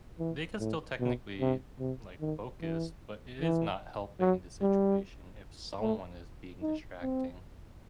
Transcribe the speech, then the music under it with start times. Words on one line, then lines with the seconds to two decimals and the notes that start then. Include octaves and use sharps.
they can still technically, like, focus, but it is not helping the situation if someone is being distracting.
0.19 E3
0.60 A2
1.00 B2
1.40 C3
1.80 C3
2.20 D#3
2.61 E3
3.41 E3
4.20 F#3
4.62 G3
5.81 A3
6.62 D#4
7.02 C4